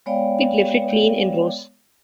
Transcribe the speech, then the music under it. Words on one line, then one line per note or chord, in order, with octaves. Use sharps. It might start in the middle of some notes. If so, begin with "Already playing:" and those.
It lifted clean and rose.
G#3 B3 C#5 D5 F5 G5